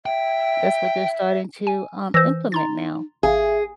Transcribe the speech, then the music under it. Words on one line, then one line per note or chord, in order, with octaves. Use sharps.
That's what they're starting to, um, implement now.
E5 G5
G#5
E3 C5 E6 A#6
D#4 A#5 C6 A6
A1 G#4 E5 F5